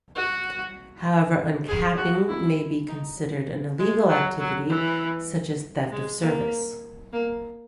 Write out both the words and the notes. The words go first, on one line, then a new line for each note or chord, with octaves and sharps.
However, uncapping may be considered an illegal activity, such as theft of service.
F#4
G#4
F#4
E4
D#4
G#3
F#3
F#3
E3
G#3
A#3
A#3